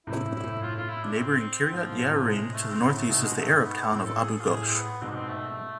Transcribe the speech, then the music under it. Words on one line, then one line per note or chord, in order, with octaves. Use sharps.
Neighboring Kiryat Ye'arim to the northeast is the Arab town of Abu Ghosh.
A2 C3 E4
A2 C3
E4
A2
A2 F4
F4
E4
D4
C4
G#2 F3
A2
A2 C3
G#3
A3
C4
A2 C3 B3
A3
G#2 B2 A3
G#3
G#2 A3
B3
A2 C4
A4
G#4
A4
F4
A2 G#4
C4
B3
G#2 B2 C4
D4
C4
A3